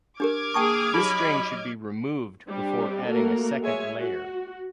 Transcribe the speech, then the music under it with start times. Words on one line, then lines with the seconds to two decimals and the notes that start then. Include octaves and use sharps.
This string should be removed before adding a second layer.
0.20 D4 G4 A#4 D6 F6 G#6
0.54 A#3 G#4 G5 A5 C#6 D#6
0.94 F#3 D#4 G4 D#5 B5
2.48 G3 C4 D4 G4
3.07 A3 A#3 F#4 A4 A#4
3.62 G#3 C#5 E5 G#5
3.98 F#4